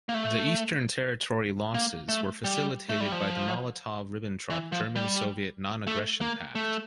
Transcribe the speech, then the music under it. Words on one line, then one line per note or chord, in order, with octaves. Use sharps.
The eastern territory losses were facilitated by the Molotov-Ribbentrop German-Soviet non-aggression pact.
A#3
A3
A#3
A3
G3
A3
G3
F3
E3
F3
G3
A3
A#3
A3